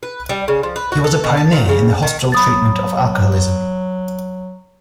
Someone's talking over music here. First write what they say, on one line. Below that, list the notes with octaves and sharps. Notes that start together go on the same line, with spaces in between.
He was a pioneer in the hospital treatment of alcoholism.
B4
G3
C#3
F3
B4
F#4
A4
B2
A5
A#2
C#3
D#3
F#3 B5 D#6 A6